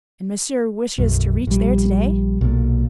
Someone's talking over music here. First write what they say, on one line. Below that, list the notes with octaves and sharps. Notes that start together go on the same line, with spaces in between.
"And Monsieur wishes to reach there to-day?"
B1 F#2
A#1 G3
B1 A#2